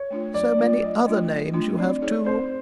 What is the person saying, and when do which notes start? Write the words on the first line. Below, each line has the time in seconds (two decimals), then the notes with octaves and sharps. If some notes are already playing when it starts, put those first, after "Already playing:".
So many other names you have, too.
Already playing: C#5
0.11 A3 D4 F4
0.34 F#3 D5
0.59 A3 D4 F4
0.82 F#3 D#5
1.06 A3 D4 F4
1.30 F#3
1.54 A3 D4 F4
1.78 C4 D5
2.02 D#4 G#4 C#5
2.25 C4 C5